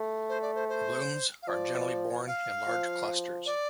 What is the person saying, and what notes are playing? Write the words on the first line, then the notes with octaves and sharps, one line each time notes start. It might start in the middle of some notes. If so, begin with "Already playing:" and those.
Blooms are generally borne in large clusters.
Already playing: A3
C5
D5
C5
C5
F5
F3 D5
F5
F3
D5